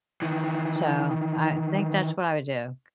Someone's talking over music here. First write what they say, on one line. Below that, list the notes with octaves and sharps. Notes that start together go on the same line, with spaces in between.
So I think that's what I would do,
D#3 E3